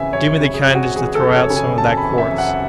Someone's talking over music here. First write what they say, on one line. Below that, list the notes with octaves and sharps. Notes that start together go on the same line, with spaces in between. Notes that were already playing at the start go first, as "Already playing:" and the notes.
"Do me the kindness to throw out some of that quartz!"
Already playing: G#1 C#3 E3 E5 G#5
F#2 C#5
C#3
G#4
G#1
F#4
E3 G#4
A4
F#2
C#5
C#3
G#5
G#1 A5
B5
E3
E5
F#2
F#5